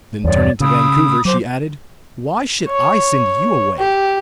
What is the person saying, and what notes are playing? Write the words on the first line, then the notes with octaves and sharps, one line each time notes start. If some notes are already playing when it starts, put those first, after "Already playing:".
Then turning to Vancouver, she added, "Why should I send you away?"
E2 G2 C#5 D5
C#3 B5 D#6 E6
F#3 C5 D6
C#5
G4